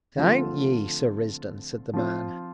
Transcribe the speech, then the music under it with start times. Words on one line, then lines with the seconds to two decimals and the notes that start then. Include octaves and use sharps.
"Thank ye, Sir Risdon," said the man.
0.17 D3 F3 A3 C4 F4
1.93 F3 C4 F4 C5